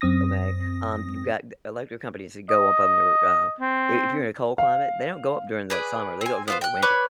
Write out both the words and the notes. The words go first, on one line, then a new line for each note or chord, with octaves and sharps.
okay? Um, you've got g electric companies that go up on your, uh i if you're in a cold climate, they don't go up during the summer, they go up during the winter,
F#2 C4 D#6 A#6
D#5
C4
F5
G#4 B4 D5
C4 G#5
B3 F4 C5
G5 F#6
B4 C#5 D5 B5